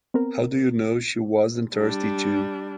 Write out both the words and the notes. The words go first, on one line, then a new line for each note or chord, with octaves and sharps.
How do you know she wasn’t thirsty too?
B3 C4 A#4
G3 D4